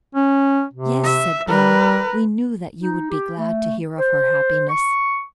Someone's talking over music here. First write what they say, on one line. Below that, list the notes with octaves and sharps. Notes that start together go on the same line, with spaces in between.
"Yes," said Bell; "we knew that you would be glad to hear of her happiness."
C#4
C3
E5
G3 A#4 B4
D#4
G4
A3
C5
C#6